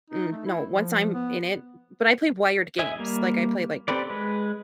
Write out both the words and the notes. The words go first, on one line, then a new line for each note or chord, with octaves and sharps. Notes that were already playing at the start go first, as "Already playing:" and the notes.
mm, no, once I'm in it but I play wired games, like I play like,
D#4
A3
E4
F3
B3
D#5 E5 G#5
G3 A#3
C4 G4 A4 B4 D5
G#3 B4